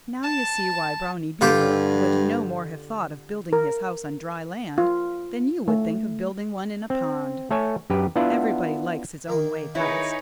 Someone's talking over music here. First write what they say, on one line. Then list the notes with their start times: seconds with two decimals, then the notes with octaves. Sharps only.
Now you see why Brownie Beaver would no more have thought of building his house on dry land than you would think of building one in a pond. Everybody likes his own way best.
0.23 A5
1.41 G2 D3 F4 G4
3.53 A#4
4.78 F4
5.68 A3
6.90 C4
7.51 A3 A4 C#5 G#5
7.90 F#2 G4 B4
8.16 B3 D4 E4 F4 E5 F#5
9.28 D#3 A#3 A#4
9.75 D#4 E4 G#4 B4 C#5